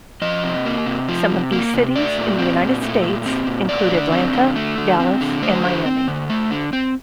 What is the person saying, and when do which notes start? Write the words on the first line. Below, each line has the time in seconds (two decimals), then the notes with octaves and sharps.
Some of these cities in the United States, include Atlanta, Dallas, and Miami.
0.22 F3 D#5
0.44 C3
0.66 A#3
0.86 C3
1.09 F3
1.30 C3
1.52 A#3
1.74 C3
1.96 A3 D5
2.17 A#2
2.38 C4
2.61 A#2
2.82 A3
3.04 A#2
3.26 C4
3.47 A#2
3.69 A3 D5
3.91 D3
4.12 C4
4.34 D3
4.55 A3
4.78 D3
5.00 C4
5.21 D3
5.42 A3 C5
5.64 D3
5.85 C4
6.08 D3
6.30 A3
6.51 D3
6.73 C4